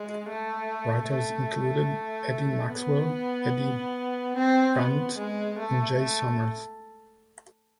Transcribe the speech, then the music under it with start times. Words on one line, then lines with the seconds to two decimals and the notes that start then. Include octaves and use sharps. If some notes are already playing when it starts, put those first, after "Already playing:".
Writers included Eddie Maxwell, Eddie Brandt and Jay Sommers.
Already playing: G#3
0.29 A3
1.10 A3
2.73 B3
4.37 C4
4.77 B3
5.18 G#3
5.58 A3
5.99 A3